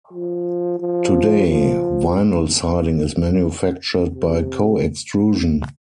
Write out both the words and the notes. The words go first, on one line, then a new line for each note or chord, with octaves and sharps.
Today, vinyl siding is manufactured by co-extrusion.
F3
F3
F3
C3